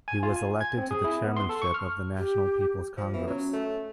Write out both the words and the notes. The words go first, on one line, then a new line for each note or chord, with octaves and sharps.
He was elected to the chairmanship of the National People's Congress.
G#5
F4
G#5
G#6
C4
G#4
E4
B3
C6
A4
C#6
F6
G4
F3
E3 B3 F4 F#4
F#3 C#4
A3